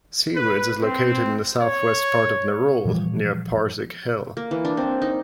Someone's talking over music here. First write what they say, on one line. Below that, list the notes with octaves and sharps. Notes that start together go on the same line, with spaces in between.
Seawoods is located in the south west part of Nerul, near Parsik Hill.
B4
C4
C#5
A#2 E3 F3 G3
A#3
E3
D4
C4
D#4